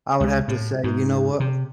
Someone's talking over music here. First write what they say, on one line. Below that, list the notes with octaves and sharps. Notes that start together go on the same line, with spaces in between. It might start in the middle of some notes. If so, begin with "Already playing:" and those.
I would have to say, "You know what?
C#2
A2
G#2
C3